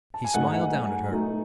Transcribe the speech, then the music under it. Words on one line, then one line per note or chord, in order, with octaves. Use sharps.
He smiled down at her.
A5
G#5
G#2 F#3 A3 D#4 F#5
G#5
F#5
G#5
B2 A3 D#4